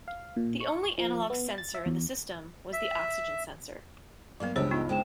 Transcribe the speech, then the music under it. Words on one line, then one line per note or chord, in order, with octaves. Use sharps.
The only analog sensor in the system was the oxygen sensor.
F5
A#2
C#6
F3
B3
A6
E5
E2
E5
G2 F#3 A#3 B3 F5
C#2 G2 E3 G#3 G4 C5 C#5 E6
B3 D#4 F4
D2 C#3 G#3 C5 G5 E7